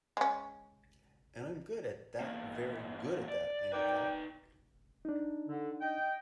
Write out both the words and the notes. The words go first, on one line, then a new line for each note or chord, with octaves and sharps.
And I'm good at that-very good at that, in fac.
G#3 C#4
E2 A#3
D5
D#4 A#4 B4 D5 G5
D4 D#4
D3
D#5 G5